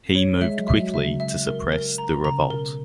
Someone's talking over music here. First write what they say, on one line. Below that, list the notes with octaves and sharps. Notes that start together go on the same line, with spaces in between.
He moved quickly to suppress the revolt.
C#5
G#3 E5
F#3
E5
F#3
C#3 E5
E5
A#4
A#4
A#5
C#3 A#5
B2 A#4